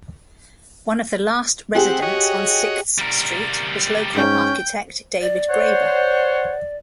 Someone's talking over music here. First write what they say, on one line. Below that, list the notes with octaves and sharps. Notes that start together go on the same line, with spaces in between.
One of the last residents on Sixth Street was local architect David Graeber.
C4 G4 G#4 F#5 G#5
F#4 C#5 D#5
G3 A#4
G#2 C#4 G5
D5
C5 C#5 F#5